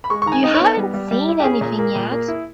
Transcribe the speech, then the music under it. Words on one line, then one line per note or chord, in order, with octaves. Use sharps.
You haven't seen anything yet.
B5
G#3 C#6
C#6
D#3 A#5
G#5
D#4 D#5
C#5
B3
G3
G3
G3
E4
G4
C#4 G#4
A#2
A#3
A#2
A#3
E4